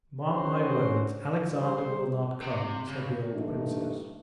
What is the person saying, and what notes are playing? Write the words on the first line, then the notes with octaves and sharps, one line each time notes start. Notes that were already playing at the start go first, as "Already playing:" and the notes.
"Mark my words, Alexander will not come," said the old princess.
C#3 C#4 D4 F#4 B4 C5
G3 C5
C3
C#2
G2 E3 A3 A#3 D4 D#4